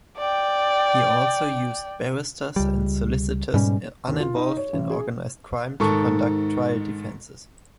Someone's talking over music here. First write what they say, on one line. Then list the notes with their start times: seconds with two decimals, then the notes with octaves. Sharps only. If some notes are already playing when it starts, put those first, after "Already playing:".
He also used barristers and solicitors uninvolved in organized crime to conduct trial defenses.
0.18 D5 G5
2.56 C#2 G3
3.54 G#2 B2 G3 C#4
4.08 D#2
4.20 F4
4.36 D#4
4.57 C#5
4.73 A1
4.90 G#4
5.80 G#2 D#3 A4 C#6